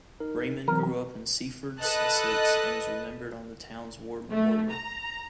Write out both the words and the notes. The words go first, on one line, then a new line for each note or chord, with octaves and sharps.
Raymond grew up in Seaford, Sussex, and is remembered on the town's war memorial.
D#4 A#4
E3 F#3 C4 A#4
A4 B4 D#5 A5 F#6
A3
A#5